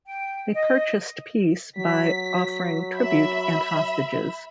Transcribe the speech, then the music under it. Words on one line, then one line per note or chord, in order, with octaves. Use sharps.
They purchased peace by offering tribute and hostages.
G5
D#5
F#3 B6
E5 B5